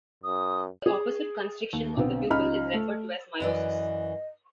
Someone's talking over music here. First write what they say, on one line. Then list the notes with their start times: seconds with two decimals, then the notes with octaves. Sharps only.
The opposite, constriction of the pupil, is referred to as miosis.
0.24 F#2 D#6
0.86 G#4
1.73 D#2
1.97 B1 D3 B3 C4
2.30 C#2 C#3 D#4 F4 B5 F6
2.74 A3
3.40 F#2 E3 D5 D#5